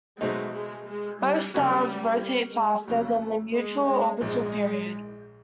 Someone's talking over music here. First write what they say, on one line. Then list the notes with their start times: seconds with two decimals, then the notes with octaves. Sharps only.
Both stars rotate faster than their mutual orbital period.
0.20 B2 F#3 G#3 A3 C4 D#4
0.54 G#3
0.88 G#3
1.21 G3
1.53 C#3 F#3 G3 A#3 C#4 F#4
2.54 G#3
2.87 F2 C#3 F#3 A3
3.54 G#3
3.87 G#3
4.21 A#1 G#2 F3 G#3